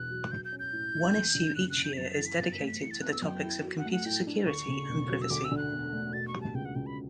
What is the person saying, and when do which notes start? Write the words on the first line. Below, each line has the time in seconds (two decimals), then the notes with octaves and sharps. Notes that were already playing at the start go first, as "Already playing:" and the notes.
One issue each year is dedicated to the topics of computer security and privacy.
Already playing: E1 E2 B2 F#6
0.11 F#3
0.31 F#3 G6
0.45 G6
0.52 C#4
0.59 G6
0.73 A2
0.94 A2
1.15 E2
1.35 D3
1.56 F#1 F#6
1.70 F#6
1.77 F#1
1.84 G6
1.93 B6
1.97 F#2 A6
2.12 A6
2.18 E3
2.25 B6
2.39 G1 A6
2.53 B6
2.60 A3
2.67 B6
2.81 E3 C#7
2.91 A6
3.01 B3 F#6
3.12 E6
3.22 F#2 G5
3.43 E4
3.64 F#3
3.78 F#5
3.85 A3
3.92 F#5
4.06 A2 G5
4.27 D4
4.47 D2 C#6
4.68 C#3
4.89 E1
5.09 F#3
5.22 E6
5.30 D2 D6
5.44 E6
5.52 D3
5.57 F#6
5.72 E1
5.93 A3
6.13 B2 A6
6.28 C#6
6.34 G3
6.41 A5
6.54 C#2 G5
6.65 F#5
6.75 C#2 G5
6.86 B5